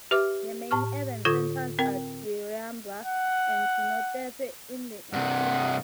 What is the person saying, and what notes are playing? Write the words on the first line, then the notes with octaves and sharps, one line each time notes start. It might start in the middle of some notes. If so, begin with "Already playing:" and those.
The main urban centres are Diriamba and Jinotepe in the interior.
G4 B4 E5 D6 F6
A2 A5 C#6 F6
D3 F4 A4 C#6 G#6 A#6
C4 A#4 G5
F#5
G2 C3 F#5